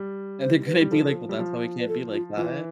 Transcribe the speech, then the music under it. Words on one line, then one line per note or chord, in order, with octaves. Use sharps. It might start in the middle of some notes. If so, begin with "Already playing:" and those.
And they're gonna be like, "Well, that's why we can't be like that."
Already playing: G3
C5
B4
G3
F3 A4
A4
G3
F3
B4
A4
F4
E3 F4